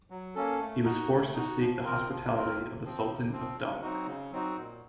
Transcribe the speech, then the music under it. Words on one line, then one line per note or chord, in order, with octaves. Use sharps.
He was forced to seek the hospitality of the Sultan of Dahlak.
F#3
A#3 C#4 A4
A3
D#4 F#4
A3
D#4 F#4
F3
C4 F4 A#4
F3
C4 F4 A#4
C3
F3 C4
C3
F3 C4
C#3
F#3 C4 D#4 F#4
C#3
F#3 C4 D#4 F#4
A#2